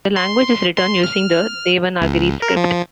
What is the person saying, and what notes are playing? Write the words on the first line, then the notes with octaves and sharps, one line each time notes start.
The language is written using the Devanagari script.
C6
C6
F6
C#2
A#4
F3